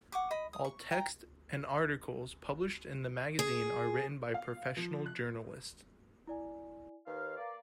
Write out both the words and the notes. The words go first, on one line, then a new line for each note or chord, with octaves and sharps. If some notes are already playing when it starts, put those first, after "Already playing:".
All texts and articles published in the magazine are written by professional journalists.
F#5 C#6 D6
D#5 B5
D#6
C#6
G5 A#5
G#4
F5
F3
F#6
E4 D5 G#5
D#2 B4 F5
A#3 D5